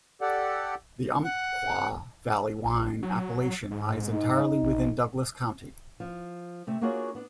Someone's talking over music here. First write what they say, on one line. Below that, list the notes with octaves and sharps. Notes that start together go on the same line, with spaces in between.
The Umpqua Valley wine appellation lies entirely within Douglas county.
G4 A4 D5 F#5
F#5
A#1
F#3
G#2
D#4
A#1
F3
C3 A3 E5
A#3 D4 F4 F#4 G#4 C#5
B3 D4